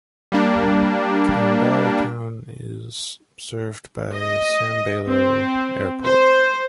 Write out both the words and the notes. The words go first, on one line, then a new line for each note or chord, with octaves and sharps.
Koundara town is served by Sambailo Airport.
G3 A#3 D4
D#5
C4
C5